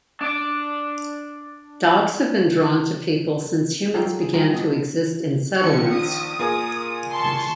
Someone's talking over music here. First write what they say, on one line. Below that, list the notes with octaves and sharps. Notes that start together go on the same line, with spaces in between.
Dogs have been drawn to people since humans began to exist in settlements.
D4 D5
F#3 D#4 F4 G4 A4
G#4
A2 G3 F4 G5 G#5 A#5
B3 D4 D#5
A#1 D#3 F3 C#7
D#6
A#2 G#4 A#4
A5 C6 C#6